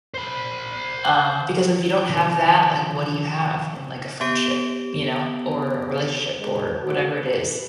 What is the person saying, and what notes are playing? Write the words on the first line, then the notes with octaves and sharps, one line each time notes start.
um because if you don't have that, like, what do you have in, like, a friendship, you know, or a relationship, or whatever it is?
C5 B5
C3 D#3 F3
B3 G4 D7
G#3
F#4
B4